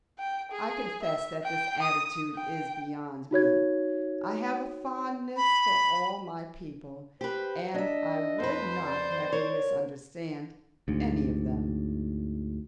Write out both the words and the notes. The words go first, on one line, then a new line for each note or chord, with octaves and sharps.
I confess that this attitude is beyond me; I have a fondness for all my people, and I would not have you misunderstand any of them.
G5
G#4
E5
G5
D#6
G5
D#4 F#4 C#5 G#6
B5
G4 B4 C5
D4 D#5 E5
F2 B4 C5
D5
A#4 C#5
D2 G#2